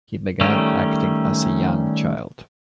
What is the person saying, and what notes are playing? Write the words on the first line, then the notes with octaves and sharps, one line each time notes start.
He began acting as a young child.
D#3 G3 A3 C#4